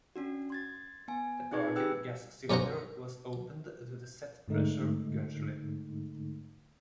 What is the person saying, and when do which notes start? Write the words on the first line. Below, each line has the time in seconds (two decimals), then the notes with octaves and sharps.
The argon gas cylinder was opened to the set pressure gradually.
0.16 C#4 D4 F#4
0.50 C6 G#6 A6
1.08 B3 G#5
1.51 C4 D#4 G#4 B4 G#6
1.76 G4 G#4 B4 G5 E6 F#6
2.50 G2 C#4 D#4 C5 F#5 A#5
4.48 G#2 D3 G#3 A3 D#4